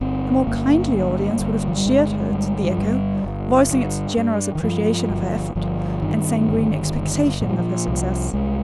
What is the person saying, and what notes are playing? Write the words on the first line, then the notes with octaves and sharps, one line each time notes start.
A more kindly audience would have cheered her to the echo, voicing its generous appreciation of her effort, and sanguine expectation of her success.
G1 C4
G1 A#3
G2
G1
F3
G3
G1 G#3
G2
D#3
F3
G1 G3
G1
G2
G2
D#3
G2 F3
G1
G1 F3
G2 D#3
G1
G1
A#2 F3
G3
F3
C2
C2 G#3